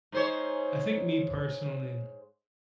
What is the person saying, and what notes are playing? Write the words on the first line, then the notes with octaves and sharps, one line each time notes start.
I think me personally
G#2 C5 C#5